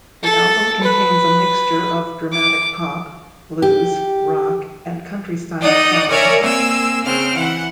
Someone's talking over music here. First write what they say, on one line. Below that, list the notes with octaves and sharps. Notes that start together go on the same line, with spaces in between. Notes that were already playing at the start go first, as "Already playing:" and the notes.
The album contains a mixture of dramatic pop, blues, rock, and country style songs.
A4
B4
D6
G4
D#4 D5 D#5 F#5 D#6
A#4 C#5 D5 E5 G#5
A#3 C4 G#5 E6
C#3 C4 F6
E3 F#5